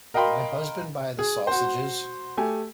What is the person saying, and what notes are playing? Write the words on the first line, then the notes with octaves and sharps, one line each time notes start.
Did my husband buy the sausages?
A#4 D#5 F5 G5 B5 C6
G#4
F#4 C5
A3 G4 G#5